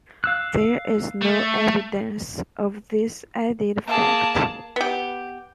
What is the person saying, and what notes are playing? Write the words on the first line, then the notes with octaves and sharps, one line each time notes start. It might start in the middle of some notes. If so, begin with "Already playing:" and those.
There is no evidence of this added fact.
F5 E6 F#6
A3
A#3 G#4 A5
B3 G4